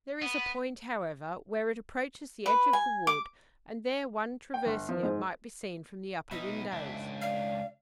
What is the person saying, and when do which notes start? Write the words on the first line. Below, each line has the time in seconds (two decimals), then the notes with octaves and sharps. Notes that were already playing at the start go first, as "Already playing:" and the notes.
There is a point, however, where it approaches the edge of the wood, and there one traversing it might be seen from the upper windows.
0.22 B3
2.46 B4
2.73 G#5
3.07 D6
4.54 G5
4.66 G1
4.89 F3
5.03 G#2
6.31 B2 D#4 E5
6.72 C#2 D4
7.21 D5 F5